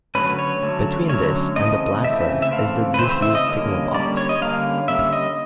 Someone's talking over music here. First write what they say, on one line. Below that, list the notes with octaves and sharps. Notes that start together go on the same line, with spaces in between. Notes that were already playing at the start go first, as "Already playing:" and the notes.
Between this and the platform is the disused signal box.
D3 F#3 A3 C#4 B4
C#5
D3 F#3 A3 C#4
D3 F#3 A3 C#4 C#5
C#3 E3 A3 C4 D#5
C#3 E3 A3 C4 E5
E5
C#3 E3 A3 C4 F5
B4
C#3 E3 A3 C4 C5
C5
E5
D#5
D3 G3 A#3 C#4
D3 G3 A#3 C#4 D5
C#5
D#5
D3 G3 A#3 C#4 F5
D3 G3 A#3 C#4 E5
D#5